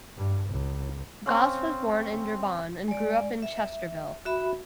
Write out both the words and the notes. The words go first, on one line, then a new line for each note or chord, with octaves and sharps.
Goss was born in Durban and grew up in Chesterville.
G2
C#2
C4 C#4 F5
G#3 D5
E5
F#4 E5 B5